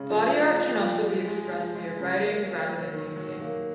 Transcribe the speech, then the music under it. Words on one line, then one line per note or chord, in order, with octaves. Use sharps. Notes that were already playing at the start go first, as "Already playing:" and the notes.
Body art can also be expressed via writing rather than painting.
Already playing: C#3 G#3 C#4
F3
F3
F3
F3
G#3
G#3
F3
G#3
C#3
A#3
F#3
F#3
D#3
F#3
A#3